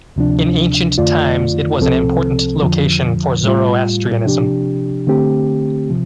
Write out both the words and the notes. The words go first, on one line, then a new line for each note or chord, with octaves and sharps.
In ancient times it was an important location for Zoroastrianism.
D2 C3 F3 D4
F2 D3 A3 F4 D5
C2 C3 F3 C4 A4
F2 D3 F3
A2 G3 F4
C3 F3 D4 G4
D3 A3 C4 G4
C3 F3